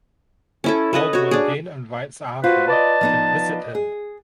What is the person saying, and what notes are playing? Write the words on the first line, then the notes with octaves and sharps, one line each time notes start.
Baldwin then invites Arthur to visit him.
C#4 E4 A4
A4 B4 D#5 F#5
F#4 C#5
D4 G#4
F4 F#4 B4 C5
B4 D5 D#5 A5
F3 B3 D#4
G#4